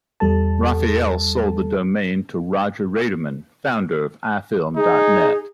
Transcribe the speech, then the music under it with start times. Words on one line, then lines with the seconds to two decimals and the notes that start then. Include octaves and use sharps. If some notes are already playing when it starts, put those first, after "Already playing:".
Raphael sold the domain to Rodger Raderman, founder of iFilm dot net.
0.20 E2 G3 A4 A5
4.76 D#4 G#4